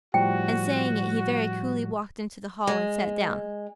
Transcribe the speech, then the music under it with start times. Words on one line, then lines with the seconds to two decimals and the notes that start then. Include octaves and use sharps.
And saying it, he very coolly walked into the hall, and sat down.
0.14 A2 F3 G3 F#4 G5
2.67 G#3